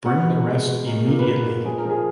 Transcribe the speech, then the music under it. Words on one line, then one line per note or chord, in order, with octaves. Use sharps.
Bring the rest immediately.
B3 F#5
B2
G#3
B2
G#3 A#4
A#2
B4
A#2 A#4
A#2
F3 G#4
A#4
F3 G#4